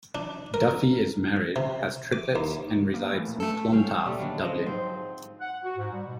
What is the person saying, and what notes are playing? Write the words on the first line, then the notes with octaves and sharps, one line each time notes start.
Duffy is married, has triplets and resides in Clontarf, Dublin.
D4
A#4
C3
D6
D#2
A#3
E3 A3
A#2
A3 A4
G3 C#4 F5 G5
B2 D3 G3 A3 A#3
A#2 D3 D#3 F#3 G#3 D4
F3 F#3 D#5
G#2 C4 C5
F#5
F#4
G#2
G3
B2